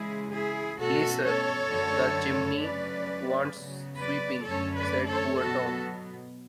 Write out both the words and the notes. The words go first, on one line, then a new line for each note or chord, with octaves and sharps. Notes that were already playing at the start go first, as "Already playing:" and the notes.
"Please sir, the chimney wants sweeping," said poor Tom.
Already playing: C#3 E3 G#3 E4 G#4
E4 G#4
B2 A3 C#4 F#4 A4
A4 C#5
F#2 D3 A3
C#3 F#3 A3 C#4 B4 D5
C#3 F#3 B3
B4 D5
F#2 D3 A3 C#4 A4 C#5
B4 D5
A4 C#5
B2 F#3 B3 F#4 A4